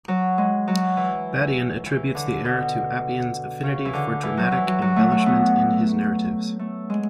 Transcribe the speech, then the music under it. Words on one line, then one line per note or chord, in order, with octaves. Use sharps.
Badian attributes the error to Appian's affinity for dramatic embellishment in his narratives.
F#3
G#3
F#3
E3
E3
D3
B2
C#3
E3
D3
E3
F#3
E3
F#3
F#3
A3
A3
B3
A3
G#3